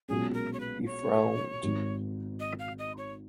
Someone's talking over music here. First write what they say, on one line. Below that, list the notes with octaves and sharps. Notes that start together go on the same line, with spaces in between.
He frowned.
B1 A#2 G#3 C#4 G#4
A#4
C#5
B4
C#5
G#1 G#2 D#3
D#5
F5
D#5
C#5